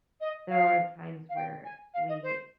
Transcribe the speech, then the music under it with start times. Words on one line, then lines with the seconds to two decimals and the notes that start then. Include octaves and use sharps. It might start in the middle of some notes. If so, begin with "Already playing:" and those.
there are times where we
0.20 D#5
0.49 F5
1.29 F5
1.35 G5
1.64 G#5
1.93 F5
2.08 D#5
2.22 C5